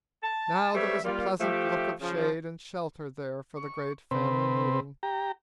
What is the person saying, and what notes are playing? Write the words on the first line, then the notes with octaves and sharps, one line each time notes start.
Now there was a pleasant look of shade and shelter there for the great family meeting.
A5
G3 A3 C4 B4 C#5 E5
G3 A#3 F4
F3 A3 G4
C#3 F3
C#6
C3 C4 B4
G4 A#5